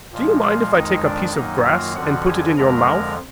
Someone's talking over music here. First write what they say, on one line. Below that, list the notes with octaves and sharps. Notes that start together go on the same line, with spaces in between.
Do you mind if I take a piece of grass and put it in your mouth?
A#2 F3 G#3
F4 F5
F2 D#3 G#3 D#4 D#5
D4 D5
F#2 D#3 F#3 A#3 D#4 D#5
F4 F5
F2 D3 F3 F#4 F#5
G#4 G#5
F2 D3 F3 G#3 A#4 A#5